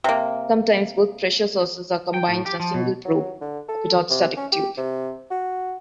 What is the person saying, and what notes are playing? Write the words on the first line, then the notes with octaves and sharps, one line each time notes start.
Sometimes both pressure sources are combined in a single probe, a pitot-static tube.
C3 A#3
G5
A2
G4
F3
B2
F#3
D3
A4
C3
C#4
G4
C3
F#4